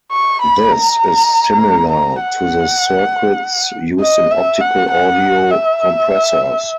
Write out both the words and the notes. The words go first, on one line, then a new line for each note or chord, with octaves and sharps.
This is similar to the circuits used in optical audio compressors.
C#6
B5
A#5
A#5
F#5
D#5
E5
F#5
F#5
E5